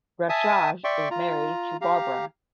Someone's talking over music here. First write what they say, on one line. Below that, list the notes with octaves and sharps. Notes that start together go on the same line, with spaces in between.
Refshauge is married to Barbara.
E5 G#5 A5 D#6
D5 E5 G5 C6 C#6
F4 A#5
G4 F5 A#5